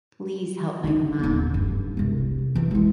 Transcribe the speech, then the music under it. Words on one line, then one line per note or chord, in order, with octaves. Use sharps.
"Please help my mom,
D#3 D#4
D#1 B3
G2
E1 C2
E3 F3
G#3 E4